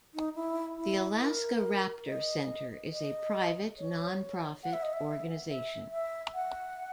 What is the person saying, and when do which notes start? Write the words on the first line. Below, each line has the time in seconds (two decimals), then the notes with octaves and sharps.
The Alaska Raptor Center is a private, nonprofit organization.
0.14 D#4
0.36 E4
0.78 E4
1.21 A#4
2.07 D#5
2.93 D#5
3.78 C#5
4.64 F#5
4.73 E5
4.83 D#5
4.93 E5
5.49 E5
5.92 E5
6.34 F#5